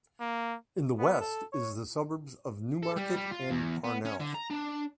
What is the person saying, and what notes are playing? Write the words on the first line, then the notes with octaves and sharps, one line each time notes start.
In the west is the suburbs of Newmarket and Parnell.
A#3
B3
A4
C#5
A4
G3
G3
F4
E2
B3
C#4
D3
A#5
D4